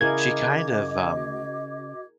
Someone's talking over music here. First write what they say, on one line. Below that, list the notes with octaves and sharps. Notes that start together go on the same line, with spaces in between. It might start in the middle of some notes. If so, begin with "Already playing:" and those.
she kind of, um,
C#3 E4 F#4 G#4 A#4 D#5 D6 G#6